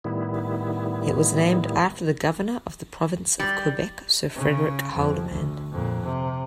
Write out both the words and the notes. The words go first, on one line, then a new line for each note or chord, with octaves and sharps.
It was named after the governor of the Province of Quebec Sir Frederick Haldimand.
A2 D#3 G3 B3 E4
G3
C#3
F2
D2
F2 A#2
C3